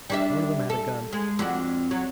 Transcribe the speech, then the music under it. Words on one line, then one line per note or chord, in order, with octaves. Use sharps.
One of them had a gun.
G3 D4 E5
A4
G#3
F2 D4 F#4
F#3